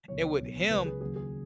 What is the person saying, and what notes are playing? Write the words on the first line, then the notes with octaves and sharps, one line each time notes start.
And with him,
C#2 B2 F#3 C#5
B1 B2 F#3
C#2 C#3 F#3 B4
G#4
D#2 C#3 F#3 G#4
G#4